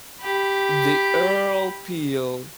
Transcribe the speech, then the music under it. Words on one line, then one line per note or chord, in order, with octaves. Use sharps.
The Earl Peel.
G4 B5